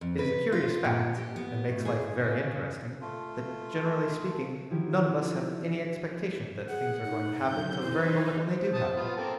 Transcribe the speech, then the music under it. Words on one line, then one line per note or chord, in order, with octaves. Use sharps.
It is a curious fact, and makes life very interesting, that, generally speaking, none of us have any expectation that things are going to happen till the very moment when they do happen.
F2
B4
F4
A#2
G4
B3
A2
G#4
C#3
A3 F4
D#3 F3 C#4 E4 F#4 G4
G#4 F#5
D#4
F#2 G6
E3 D#4 E4 C5
C5
A5 D#6
B3 F4
A#3 C4 A4